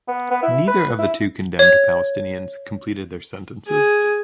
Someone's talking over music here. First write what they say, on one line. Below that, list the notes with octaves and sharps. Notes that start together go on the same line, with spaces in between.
Neither of the two condemned Palestinians completed their sentences.
B3
B3
E4
B4
E4
C#5
G#4